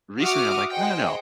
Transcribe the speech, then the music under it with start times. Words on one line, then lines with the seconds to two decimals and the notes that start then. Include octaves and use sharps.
recently, I'm like, "No, no, no,
0.20 F#4 E5 F#5 D6 D#6 F6
0.70 G#4 C5 D#5 F#5 G5